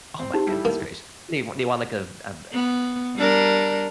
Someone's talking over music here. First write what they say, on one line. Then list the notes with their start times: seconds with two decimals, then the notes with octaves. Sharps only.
Oh my goodness gracious. They they want, like, a a b
0.19 C4
0.34 D#4 G4
0.47 G3 E4 A4
0.65 A#3
2.52 B3
3.16 G3 D4 A#4